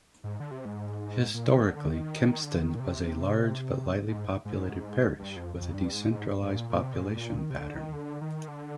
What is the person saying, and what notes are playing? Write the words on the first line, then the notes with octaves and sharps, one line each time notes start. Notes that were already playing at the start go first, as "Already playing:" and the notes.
Historically Kempston was a large but lightly populated parish, with a decentralised population pattern.
G#2
D3
C3
G#2
A#2
C3
D#3
D3
D3
D#3
D#3
D3
D#3
A#2
C3
G#2
G#2
G2
F2
F2
G2
G#2
G#2
G#2
A#2
A#2
C3
A#2
G#2
A#2
D#3
C3
D3
D#3
D3
D#3
D3